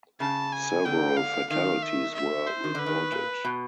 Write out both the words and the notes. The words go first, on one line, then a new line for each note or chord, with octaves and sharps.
Several fatalities were reported.
C#3 A5
G#5
D3 G5
F5
D#3 F5
E5
E5
C5
D#3
D3
B4
D#3
A#2
B2